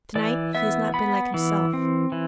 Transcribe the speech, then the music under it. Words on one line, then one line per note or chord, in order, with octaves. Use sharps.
'To-night he has not been like himself.
E3 D5
B3 E5
B3 B5
E3
C4
E3